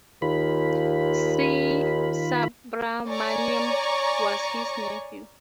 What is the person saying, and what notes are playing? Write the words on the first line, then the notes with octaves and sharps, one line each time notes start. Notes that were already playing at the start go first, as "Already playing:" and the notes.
C. Subramaniam, was his nephew.
D#2 D#3 F4 B5
C#5 D5 G#5 A#5 C#6